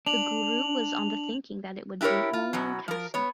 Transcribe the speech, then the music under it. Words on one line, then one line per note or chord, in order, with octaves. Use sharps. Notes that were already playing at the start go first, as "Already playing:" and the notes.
The guru was on the thinking that it would bloom only in Kasi.
D4 F7 F#7
D4 E4 G4 G#4 A#4 C#5
F4
F#2 B2 F#3
F3 A#4
B3 C#5